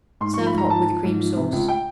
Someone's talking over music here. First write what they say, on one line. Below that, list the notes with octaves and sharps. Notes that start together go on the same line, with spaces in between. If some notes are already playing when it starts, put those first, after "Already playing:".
Serve hot with a cream sauce.
G#2 C6
C#6
F3
B5
G#2 A#5
A#5
F3 A5
F3
G#2
F3
C3
C#2
G5